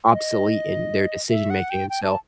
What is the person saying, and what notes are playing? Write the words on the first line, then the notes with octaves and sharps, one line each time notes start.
obsolete in their decision making and so,
D#5
E5
F#5
G5
G5
A5